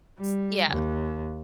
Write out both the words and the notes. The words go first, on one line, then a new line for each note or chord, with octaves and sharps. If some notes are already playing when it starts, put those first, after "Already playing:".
S Yeah.
G3
D#2